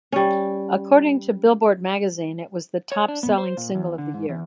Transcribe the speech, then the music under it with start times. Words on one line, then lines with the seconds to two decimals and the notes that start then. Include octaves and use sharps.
According to "Billboard" magazine, it was the top-selling single of the year.
0.12 G3 C#4
2.92 C#5
3.08 D4
3.23 B3
3.38 C5
3.57 A#2
3.75 E2
3.98 D3
4.14 G#2
4.29 E2